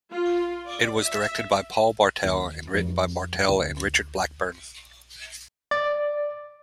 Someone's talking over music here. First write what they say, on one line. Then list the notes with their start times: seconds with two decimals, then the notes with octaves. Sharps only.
It was directed by Paul Bartel and written by Bartel and Richard Blackburn.
0.12 F4
0.66 D5
1.00 E5
2.24 D#2
2.75 F2
3.49 D2
5.71 D5